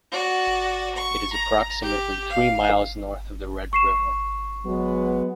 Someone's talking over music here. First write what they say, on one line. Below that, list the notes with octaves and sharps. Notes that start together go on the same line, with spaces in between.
It is approximately three miles north of the Red River.
F#4 D5
C#6
A#5
G4
F5
C#6 C7 E7
F#3 G#3 B3